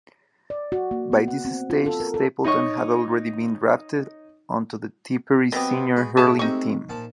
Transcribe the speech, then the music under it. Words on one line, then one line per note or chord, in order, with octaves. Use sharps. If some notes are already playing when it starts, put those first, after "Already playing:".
By this stage Stapleton had already been drafted onto the Tipperary senior hurling team.
D5
F#4
A#3
B3
F#5
C4
F4
A4
A#4
A4
D#4 C#5 D#5 C#6
B2 F#3 B3 C4 G4
G#3 B5 C#6
A2 F#4 G#4 E5 A5
C3 G#3 A3 D#4 C#6
A#2 F3 A5